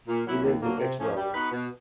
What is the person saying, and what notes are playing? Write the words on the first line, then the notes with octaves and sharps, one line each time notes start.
He lives in Eschweiler.
A#2
F#3 A#3 C#4 E4
D#2
D3 F#3 A#3
C3
F3 A3 C#4
G3
B3 D#4 F#4 B4
B2